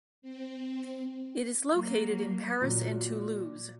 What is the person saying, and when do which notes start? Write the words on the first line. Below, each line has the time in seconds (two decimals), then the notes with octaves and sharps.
It is located in Paris and Toulouse.
0.22 C4
1.73 F#3 A#3
2.61 A#2 F#3